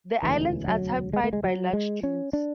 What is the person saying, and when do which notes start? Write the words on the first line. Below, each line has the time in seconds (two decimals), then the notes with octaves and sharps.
The islands are typified by large dunes.
0.23 E1 D2 C#3 E3
0.68 F#3
1.13 G#3
1.24 A3
1.33 G#3
1.44 F#3
1.73 G#3
2.03 C#4
2.33 D4